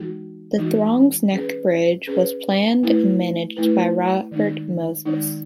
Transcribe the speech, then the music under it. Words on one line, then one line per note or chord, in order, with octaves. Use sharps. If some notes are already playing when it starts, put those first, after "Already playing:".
The Throgs Neck Bridge was planned and managed by Robert Moses.
Already playing: E3 G#3 D#4 F#4
E3 G#3 D#4 F#4
C#4 G#4 B4
C#4 G#4 B4
A3 E4 B4
A3 E4 B4
D#3 G#3 D#4
D#3 G#3 D#4